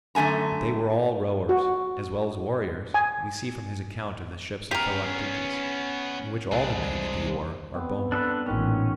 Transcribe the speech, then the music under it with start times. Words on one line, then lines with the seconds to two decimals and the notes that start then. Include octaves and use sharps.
That they were all rowers as well as warriors we see from his account of the ships of Philoctetes, in which all the men at the oar are bowmen.
0.15 F#2 D3 A3 G#5 A#5
1.49 F#4
2.94 G#5
4.71 B3 C#4 G4 G#4 A#4
6.52 C2 G#3 D4
7.74 G2 B3 C4
8.12 D4 A4 B4
8.46 A1 A#2 D#3 G#3 C#4